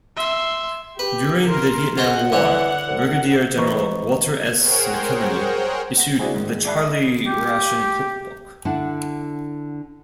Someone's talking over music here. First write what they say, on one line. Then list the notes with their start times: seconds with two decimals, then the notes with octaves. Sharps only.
During the Vietnam War, Brigadier General Walter S. McIlhenny issued "The Charlie Ration Cookbook".
0.17 E5 C6
0.99 G4 B4
1.47 A#4 C6
1.98 G#3 F4 F#4 C5 F#5
2.32 D3 E3 C#5
2.87 C2
3.57 E3 B4 C5 D#5 A#5 C#6
4.59 G#4 A#4 C5 C#5 F#5 G5
5.97 F#5 A#6
6.19 D4 E4 F#4 G#4 C5
6.34 G#2 D#3
6.65 D5 E5 A5 B5 F#6
6.86 D#5
7.26 G4
8.65 D3 D4 E4 F#5